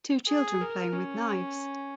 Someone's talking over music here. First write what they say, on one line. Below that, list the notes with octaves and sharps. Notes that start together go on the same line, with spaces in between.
Two children playing with knives.
G#4
A#4
C#4